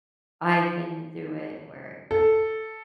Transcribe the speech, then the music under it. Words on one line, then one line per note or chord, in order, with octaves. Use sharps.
I've been through it where
A4